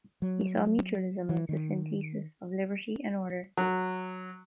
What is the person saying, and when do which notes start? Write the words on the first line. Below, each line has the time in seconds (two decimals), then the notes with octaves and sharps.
He saw mutualism as the synthesis of liberty and order.
0.22 F#3
1.29 E3
1.49 D#3
3.57 F#3